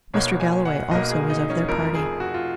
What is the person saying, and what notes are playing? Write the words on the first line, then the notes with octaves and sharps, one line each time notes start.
Mr. Galloway also was of their party.
B1 B2 A#3 C#5
G#5
F#5
B1 B2 A#3 D#5
G#4
D#4
C#4
F1 F2 F3 A#4
G#4
F#4
F4